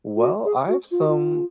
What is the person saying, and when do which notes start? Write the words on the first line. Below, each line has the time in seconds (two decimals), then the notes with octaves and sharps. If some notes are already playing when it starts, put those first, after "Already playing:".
Well, I have some
0.16 F4
0.22 F#4
0.45 G#4
0.68 F#4
0.91 F4
1.00 F#4
1.08 F4